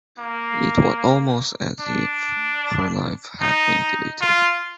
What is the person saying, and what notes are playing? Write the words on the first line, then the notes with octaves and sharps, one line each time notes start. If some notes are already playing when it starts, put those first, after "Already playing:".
It was almost as if her life had been deleted.
A#3
D4
D#4
F4